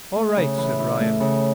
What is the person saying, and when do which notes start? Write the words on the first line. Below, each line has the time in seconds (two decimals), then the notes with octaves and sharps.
"All right," said Ryan.
0.16 A3
0.37 C#3
0.57 E3
0.79 E4
1.00 A3
1.20 C#3